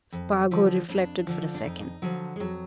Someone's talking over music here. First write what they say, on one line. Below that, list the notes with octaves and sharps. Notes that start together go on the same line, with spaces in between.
Spargo reflected for a second.
F2
D3 F3
F2 D4
D3 F3
D4
F2 D#4
D3 F3 F#3
G#3
F2 F#3